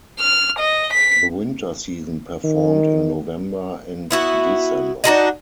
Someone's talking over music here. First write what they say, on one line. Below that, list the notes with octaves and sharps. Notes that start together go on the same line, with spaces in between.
The winter season performed in November and December.
F6
D#5
B6
D#3
B3 E4 F#4
D4 D#4 F#4 D#5